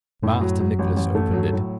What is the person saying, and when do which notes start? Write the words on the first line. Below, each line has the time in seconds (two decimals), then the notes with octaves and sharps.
Master Nicless opened it.
0.23 F#2 A2
0.41 F#3
0.60 F#3
0.79 A1
0.96 A1
1.15 A3
1.33 G2 F#3
1.53 A2